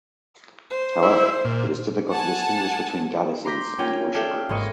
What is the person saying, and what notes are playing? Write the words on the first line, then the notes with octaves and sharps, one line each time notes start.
However, it is difficult to distinguish between goddesses and worshippers.
C5
E4
A#2
F#5 G#5 A5
A#5 C6 D6 G6 A#6 B6
A#3 C#4 F4 G5 G#5
G#4 A4 D5 E5 F5 G5
G#1 G#3 A#3 A#4 D#5 C#6